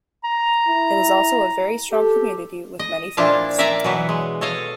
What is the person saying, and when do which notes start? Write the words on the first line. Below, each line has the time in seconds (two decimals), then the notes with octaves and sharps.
It is also a very strong community with many farms.
0.24 A#5
0.68 E4
1.91 G4 A4
2.79 D#5
3.17 A#2 F3 D4 E4 F4 F5
3.58 A#4 D5 E5 F5 G#5 A#5
3.84 B2 E3 F#3 F#4 B4
4.09 G#3
4.41 A4 C#5 D#5 F5